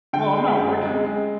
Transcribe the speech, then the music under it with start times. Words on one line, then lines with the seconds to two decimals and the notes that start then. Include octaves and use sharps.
Well, I'm not working
0.13 D3 G5
0.36 G#3
0.59 F#2
0.82 G#3
1.05 G#3